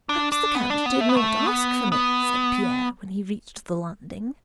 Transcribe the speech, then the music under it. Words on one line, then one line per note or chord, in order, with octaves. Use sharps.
"Perhaps the count did not ask for me," said Pierre when he reached the landing.
D4
D4
B3
D4
B3
A3
B3
A3
B3
B3